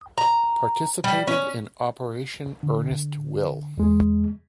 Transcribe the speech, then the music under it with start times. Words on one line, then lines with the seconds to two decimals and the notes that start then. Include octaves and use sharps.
Participated in Operation Earnest Will.
0.18 A#5
1.04 G3
1.27 C#4
2.63 D3
3.78 E2 G#3